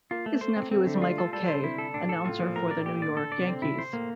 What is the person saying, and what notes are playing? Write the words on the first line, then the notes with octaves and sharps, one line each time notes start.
His nephew is Michael Kay, announcer for the New York Yankees.
A#3 F4
A3
A3 C5
A3 C4
A3 C4
D3 A3
G3
A3 F4
A4
G3 A4
D3 C5
C3 E4
A4
A2 D4
A4
A2 F4
A#2 F3
A2 A#4
D5
A2
A#2 G4
D3 D5
D3 A4
D5
C3
D3 C4
C3 E4
C5
A2 A#3